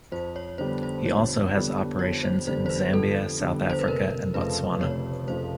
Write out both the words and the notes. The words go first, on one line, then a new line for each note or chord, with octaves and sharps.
He also has operations in Zambia South Africa and Botswana.
F2 C5
C#5
D3 G3 B3 C5
C5
F2 C#5
D3 G3 B3
F2 C#5
C5
D3 G3 B3 C5
C5
B4
F2 A4
D3 G3 B3
C5
B4
F1 A#4
F2 C#3 F3 A3 B4
F1 C#5
F2 C#3 F3 A3 C5